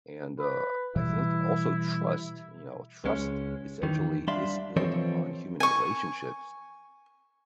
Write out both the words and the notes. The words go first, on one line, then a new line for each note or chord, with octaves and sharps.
And, uh, I think also trust, you know, trust essentially is built upon human relationships.
B4
B2 E3 G3 E4
C#2 G#3 C#4
E2 D#3 E3
G3 D4 D5 E5 F5 C6
E3 F3 C4 A4 C#5 D#5
G#5 C#6